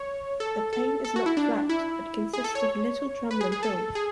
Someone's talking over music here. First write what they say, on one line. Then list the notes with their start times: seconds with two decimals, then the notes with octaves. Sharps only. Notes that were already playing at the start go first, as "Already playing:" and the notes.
The plain is not flat but consists of little drumlin hills.
Already playing: C#5
0.40 A4
0.73 A4
1.04 A4
1.16 F#4
1.26 E4
1.37 D4
1.69 E4
2.33 G#4
2.44 A4
2.55 C#5
3.31 B4
3.41 G#4
3.52 G#4
3.63 A4
3.95 G#4